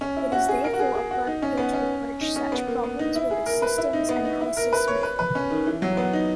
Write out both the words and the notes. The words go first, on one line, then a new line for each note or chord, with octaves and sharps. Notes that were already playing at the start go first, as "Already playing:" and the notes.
It is therefore appropriate to approach such problems with a systems analysis method.
C#4
E4
F#4
G#4
A#4
F#4
G#4
G#4
F#4
D#4
C#4
B3
C#4
D#4
C#4
B3
A#3
B3
D#4
E4
G#4
A#4
B4
E4
D#4
B3
D#4
E4
A#4
B4
C#5
B4
B4
C#4
D#3
E3
F#3
B3
D#4